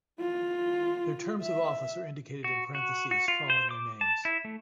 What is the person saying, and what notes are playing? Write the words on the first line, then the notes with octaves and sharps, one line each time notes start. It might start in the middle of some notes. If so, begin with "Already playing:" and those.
Their terms of office are indicated in parenthesis following their names.
F4
E5
F#4
F#4
F#4
F4
C5
D6
A5
E4
A3